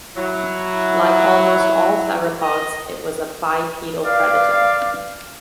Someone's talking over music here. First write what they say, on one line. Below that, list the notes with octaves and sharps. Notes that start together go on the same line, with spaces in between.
Like almost all theropods, it was a bipedal predator.
F#3 E4
D#5
B4 D5 F5